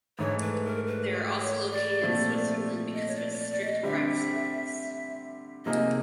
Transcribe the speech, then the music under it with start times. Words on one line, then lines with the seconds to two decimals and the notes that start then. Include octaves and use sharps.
They are also located in Switzerland because of its strict privacy laws.
0.19 G#2 E3 A3 C#5
0.42 B4
0.65 A#4
0.87 B4
1.40 C#5
1.71 D5
2.01 A#2 F3 A3 C4 E4
2.93 D#5
3.08 C#5
3.15 D5
3.32 C#5
3.38 D5
3.50 D5
3.61 D#5
3.83 D3 G3 C4 E5
5.66 C3 F3 A#3 D#4 G#4 D#5